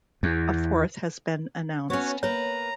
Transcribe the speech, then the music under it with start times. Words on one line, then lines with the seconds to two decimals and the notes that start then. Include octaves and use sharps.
A fourth has been announced.
0.23 E2
1.90 B3 C#4 F#4 C#5
2.23 A#3 B4 C#5 A#5